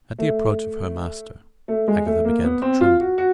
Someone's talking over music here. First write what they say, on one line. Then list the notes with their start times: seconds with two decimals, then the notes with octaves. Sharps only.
At the approach of her master, Agatha began to tremble.
0.19 A3
1.68 A3
1.88 G#3
2.06 A3
2.25 A#3
2.43 B3
2.62 C4
2.81 F4
3.00 F#4
3.18 F#4